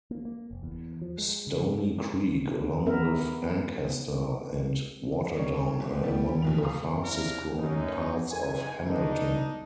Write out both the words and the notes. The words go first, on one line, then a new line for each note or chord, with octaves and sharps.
Stoney Creek, along with Ancaster and Waterdown are among the fastest-growing parts of Hamilton.
A#3
A#3
F1
E2
F3
G#3
C#3
B3 A#4 E5
G3 C4 D4 D#4 C#5
G1
G3 B3 C#4 E4 G4
B1 F2 F7
C#2 A3 F5 A#5 C6 D#6
C3 A#3 D4 E4 A#4
F#2 D#4
F#1 G#2 G#5
D2 D4 D#4